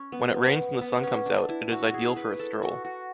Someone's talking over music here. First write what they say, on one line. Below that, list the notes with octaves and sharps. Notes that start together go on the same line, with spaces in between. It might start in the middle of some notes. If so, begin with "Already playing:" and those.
When it rains and the sun comes out, it is ideal for a stroll.
Already playing: C#4
B3
B3
C#4
D4
E4
F#4
G#4
B4
A4
F#4
F#4